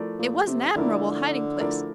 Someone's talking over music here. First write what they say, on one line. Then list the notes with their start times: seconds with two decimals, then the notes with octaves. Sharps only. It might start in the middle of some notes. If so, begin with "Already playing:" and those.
It was an admirable hiding-place.
Already playing: F3 A3 E4 A#4 D5
0.19 A#2
0.47 C3
0.75 D3 F3 A3 E4 A#4 D5
1.60 F3 A3 E4 A#4 D5